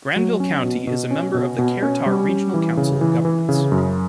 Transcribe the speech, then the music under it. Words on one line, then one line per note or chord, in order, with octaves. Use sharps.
Granville County is a member of the Kerr-Tar Regional Council of Governments.
F#3
C#4
B2
B2
C#4
B2
B2
C#4
G3
C#4
E3
C#3
E3
E3
C#3
F#2